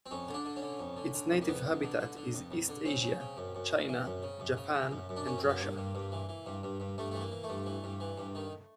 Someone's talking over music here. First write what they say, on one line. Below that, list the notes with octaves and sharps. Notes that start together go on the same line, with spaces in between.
Its native habitat is East Asia, China, Japan, and Russia.
C4
F2 C#4
D3
D4
D3
C#4
D3
F2
D3
D3
F2
A#3
F2 B3
F2
D3
D3
D3
F2
F2
D3
C#3 C4
C#3
C#3
F#2
F#2
C#3
E3
F#2
C#3
F#2
C#3
C#3
F#2
F#2
D4
F#2 C#4
C4
F#2
B3
G2 A#3
G2
G2
E3
E3
G2
G2
G2
G2 A3
E3 A3
A#3
E3
A3
G2
E3
G2
E3
G2
D#3